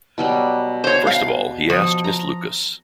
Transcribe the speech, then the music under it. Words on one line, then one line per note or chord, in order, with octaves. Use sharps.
First of all, he asked Miss Lucas.
B2 F#3 G3
C5 C#5
F5
F3
A#5